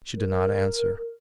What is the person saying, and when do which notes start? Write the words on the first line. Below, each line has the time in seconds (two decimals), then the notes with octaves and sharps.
She did not answer.
0.16 A#4